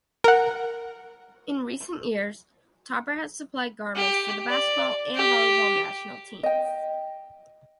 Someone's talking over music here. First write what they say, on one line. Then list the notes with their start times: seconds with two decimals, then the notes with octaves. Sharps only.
In recent years, Topper has supplied garments for the basketball and volleyball national teams.
0.24 A#4 F#5
3.96 G4
4.49 D5
5.15 G4
6.43 D#5 G5